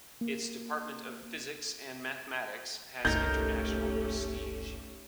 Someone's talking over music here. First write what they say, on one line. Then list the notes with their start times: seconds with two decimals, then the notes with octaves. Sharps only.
Its departments of physics and mathematics has international prestige.
0.21 A#3
3.05 F#1 C2 A3 C#4 D#4 G4 A#4 G6